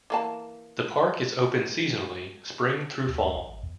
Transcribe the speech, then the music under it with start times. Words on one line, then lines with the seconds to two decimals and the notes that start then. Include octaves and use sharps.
The park is open seasonally, spring through fall.
0.10 E3 A#3 A5
3.08 D#2
3.34 A1
3.63 E2